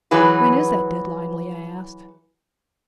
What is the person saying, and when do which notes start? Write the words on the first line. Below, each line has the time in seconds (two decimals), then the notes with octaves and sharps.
"When is that deadline?" Lea asked.
0.11 E3 F#3 G#4 B4